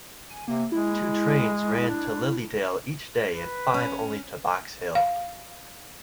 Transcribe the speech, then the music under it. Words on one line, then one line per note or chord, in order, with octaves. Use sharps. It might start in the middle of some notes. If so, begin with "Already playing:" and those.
Two trains ran to Lilydale each day and five only to Box Hill.
G#5
C3 A#3
G#3 E4
D4
B4
C#4
F5